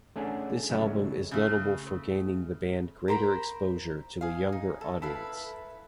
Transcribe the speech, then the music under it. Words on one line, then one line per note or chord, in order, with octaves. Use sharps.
This album is notable for gaining the band greater exposure to a younger audience.
A3 C#4 D4 G#4 E5 F#5
C#3 F#3 G#3 A3
C#3 A3
A#4 C5 A#5 B5
G#4 F5
D#4
A4
E4 A4 B4 F5